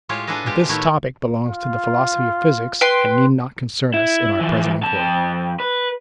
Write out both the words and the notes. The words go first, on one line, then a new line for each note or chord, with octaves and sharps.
But this topic belongs to the philosophy of physics, and need not concern us in our present inquiry.
A2 G#3 F4 G4 C#5
D4 G#4 A4 B4 D#5
B2 G#3 F4 G4
A2 D#3 A3 B3 E4 C#5
F4
B4 G5 C6
E4
E3 F3
F2 A5
B4